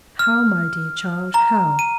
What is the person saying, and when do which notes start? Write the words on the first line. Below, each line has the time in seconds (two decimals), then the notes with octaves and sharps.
"How, my dear child, how?"
0.19 F6
1.34 A#5
1.79 D#7